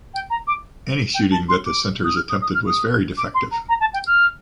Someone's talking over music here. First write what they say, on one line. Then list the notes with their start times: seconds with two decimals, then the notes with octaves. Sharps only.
Any shooting that the centers attempted was very defective.
0.14 G5
0.30 A#5
0.47 D6
1.14 G5
1.31 A5
1.49 C6
1.66 D6
2.04 D#6
2.16 F6
2.29 D#6
2.42 D#6
2.54 F6
2.67 D#6
3.17 D6
3.34 C6
3.51 A#5
3.69 A#5
3.80 A5
3.93 G5
4.07 F6